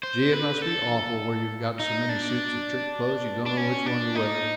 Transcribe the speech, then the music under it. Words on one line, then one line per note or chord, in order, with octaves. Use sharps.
Gee, it must be awful where you've got so many suits of trick clothes you don't know which one to wear.
C5
B4
A4
D#4
D4
D4
C#4
D4
D#4